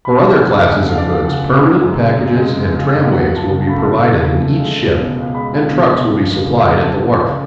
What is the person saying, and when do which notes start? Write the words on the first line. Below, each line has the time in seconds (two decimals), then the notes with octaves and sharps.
For other classes of goods permanent packages and tramways will be provided in each ship, and trucks will be supplied at the wharf.
0.05 B5
0.14 F3 A5
0.33 D2 A5
0.39 G#5
0.52 C#3
0.64 F#5
0.70 A3
0.88 F3 F5
0.98 D5
1.07 D2 F5
1.25 C#3 F#5
1.44 A3
1.63 G#3
1.82 F#2
2.00 C#3
2.18 F#2
2.37 G#3
2.55 F#2
2.74 C#3
2.93 F#2
3.01 F5
3.11 F#3 F#5
3.30 C#2
3.36 A5
3.49 C#3
3.61 A5
3.67 A3 B5
3.79 A5
3.85 F#3
4.04 C#2
4.23 C#3
4.41 A3
4.60 G#3
4.78 C#2
4.98 B2
5.16 C#2
5.34 G#3 B5
5.53 C#2
5.72 B2
5.90 C#2
6.09 F3
6.27 C#2
6.46 C#3
6.64 A3
6.83 F3 A5
7.01 C#2
7.20 C#3